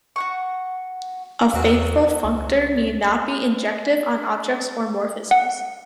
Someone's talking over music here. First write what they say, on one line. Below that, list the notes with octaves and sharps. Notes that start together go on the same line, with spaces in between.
A faithful functor need not be injective on objects or morphisms.
F#4 F#5 C#6
E2 B2 C4 F#4
C#2
F#5